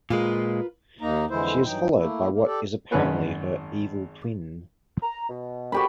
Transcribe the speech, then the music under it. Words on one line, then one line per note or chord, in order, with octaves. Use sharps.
She is followed by what is apparently her evil twin.
A#2 G#3 F4 A#4 B4
D#2 A#3 D#4 A#5
F2 D3 E3 G#3 E4 C5
G2 E3 F#3 D#4 G5
A3 A#3 E4
A#3
G4 A4 D5
G#1 F#2 G#4 B4 C#5
A#5
B2
G#2 D3 D#3 F#4 G4 B5